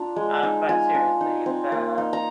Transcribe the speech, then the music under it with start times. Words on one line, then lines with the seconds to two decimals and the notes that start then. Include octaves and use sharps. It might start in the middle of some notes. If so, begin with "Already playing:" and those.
uh, but seriously, it's, uh,
Already playing: D4 F4 A#5
0.16 G#3
0.43 D#4
0.69 F4 G#5
0.94 D4
1.21 D#4
1.46 C4
1.72 A#3
1.98 D#4
2.13 A#5